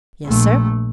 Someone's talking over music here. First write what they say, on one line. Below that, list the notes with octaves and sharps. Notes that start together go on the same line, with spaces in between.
"Yes, sir."
A#1 A3